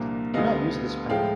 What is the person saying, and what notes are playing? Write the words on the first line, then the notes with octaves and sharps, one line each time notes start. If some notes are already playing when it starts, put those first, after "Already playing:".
Do not use this pen.
Already playing: C2 A#2 F3 A#3 D4
D2 D3 G3 B3 D#5 F5
A2 F3 G#3 F5 G5